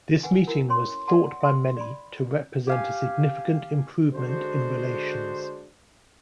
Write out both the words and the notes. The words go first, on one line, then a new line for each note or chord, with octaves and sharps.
This meeting was thought by many to represent a significant improvement in relations.
B4 F#5 G#5
E4 F#4 A#4
C#4 C#5 C6
D5 E5 F#5 A5 C6
E5 C6
D5 B5
G4 F5 G#5
D3 G#3 D4 F#4 C5